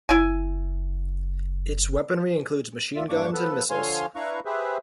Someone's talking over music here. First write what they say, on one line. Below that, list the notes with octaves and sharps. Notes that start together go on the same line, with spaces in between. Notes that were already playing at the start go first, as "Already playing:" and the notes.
Its weaponry includes machine guns and missiles.
F#1 E4 G#5
D2 F4 D5 E5
E2 G2 A#3 D4 C#6 D6
F3 B3 A4 B4
D3 F3 C#5 F5 G#5 C6
D4 E4 B4 F5 A#5 C#6
G4 G#4 B4 C5 E5